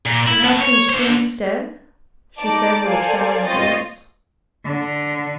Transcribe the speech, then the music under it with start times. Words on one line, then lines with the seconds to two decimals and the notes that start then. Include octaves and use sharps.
"Perhaps in the spring instead--" she said, with a tremor in the voice.
0.06 A#2
0.27 E4
0.44 C#3 A5
0.61 C#5
0.90 D3 C5
2.39 D#4 D5 A5 D6
2.86 A4 A#4 C5 D5 F5 G#5
3.45 C4 F4 C#5 D#5 C6 A6
4.66 D3